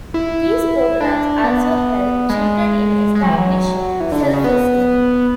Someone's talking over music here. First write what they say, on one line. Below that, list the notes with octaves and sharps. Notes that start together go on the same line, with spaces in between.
These programs also help children in establishing self-esteem.
E4
D4
B3
G#3
G#3
F#3
E3
F#3
E3
D3
C#3
C#3
B3